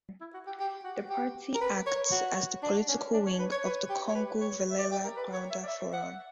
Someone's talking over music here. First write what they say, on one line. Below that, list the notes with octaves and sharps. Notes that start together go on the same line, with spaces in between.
The party acts as the political wing of the Kongu Vellala Gounder Forum.
E4
F#4
G4
G4
F#4
G4
A#4
B4
C#5
F#4
D4
C#4
D4
C#5
B4
C#5
B4
G4
C#5
B4
C#5
E5
D5
G4
A#4
B4
C#5
E5
D5
E5
F#5